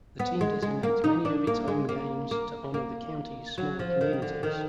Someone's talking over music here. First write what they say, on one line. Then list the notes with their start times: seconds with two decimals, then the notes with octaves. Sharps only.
The team designates many of its home games to honor the county's smaller communities.
0.19 B3
0.41 G#3
0.63 G#3
0.83 A#3
1.04 D#4
1.25 D4
1.47 A#3
1.68 G#3
1.89 A#3
2.31 A#3
2.74 A#3
3.58 F#3
3.79 F3
4.01 D#3
4.22 D3
4.43 D#3